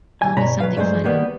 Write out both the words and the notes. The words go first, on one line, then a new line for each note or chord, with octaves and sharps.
Tell me something funny.
D#2 C3 G#5
G2 B2 C#5 A#5 B5
B1 F#3 B4 F5
G2 F#3 G#3 A3 G#4 C5
D#3 G3 A#3 B3